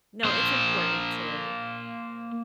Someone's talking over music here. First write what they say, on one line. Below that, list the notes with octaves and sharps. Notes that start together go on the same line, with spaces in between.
No, it's important to
A#3 C5